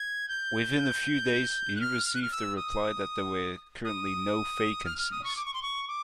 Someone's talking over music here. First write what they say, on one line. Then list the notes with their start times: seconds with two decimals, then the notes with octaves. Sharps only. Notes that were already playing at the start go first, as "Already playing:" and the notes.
Within a few days he received a reply that there were currently no vacancies.
Already playing: G#6
0.29 G6
1.76 F#6
1.81 F6
2.06 F6
2.14 F#6
2.22 F6
2.32 E6
2.57 D#6
3.85 D#6
4.86 F6
4.98 F6
5.12 D#6
5.24 C#6
5.36 D6
5.46 C#6
5.54 C6
5.62 C#6
5.88 D6